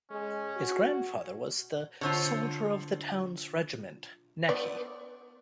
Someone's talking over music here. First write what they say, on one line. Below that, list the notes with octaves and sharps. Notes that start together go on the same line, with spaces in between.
His grandfather was the "soldier of the town's regiment" Nehy.
G#3 C#4
F#4
D3 F4 A4 C5 C#5 E5
B3 D5